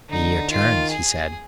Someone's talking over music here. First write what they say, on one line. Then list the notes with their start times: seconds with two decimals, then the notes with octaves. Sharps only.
"The year turns," he said.
0.10 D3 D#4
0.50 D#3 F4
0.91 G#4